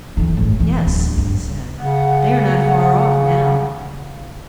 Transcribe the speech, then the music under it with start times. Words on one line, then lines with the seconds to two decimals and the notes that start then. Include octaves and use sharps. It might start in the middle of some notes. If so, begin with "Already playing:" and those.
'Yes,' he said, 'they are not far off now.'
0.17 D3 E3
0.37 G#1 A2
0.60 E3
0.87 D1
1.18 G2
1.80 C#3 F#5